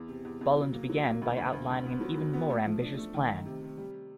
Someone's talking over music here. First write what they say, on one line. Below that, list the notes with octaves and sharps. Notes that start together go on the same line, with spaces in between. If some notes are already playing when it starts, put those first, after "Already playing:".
Bolland began by outlining an even more ambitious plan.
Already playing: E2
C3
E2
E2
F#3
A#3
F#3
A#3
D2
D2
D2
D2
B3
F#3
F#3
B3
A3
F3
D4
A3
D#3
D#3
C3
C3
G3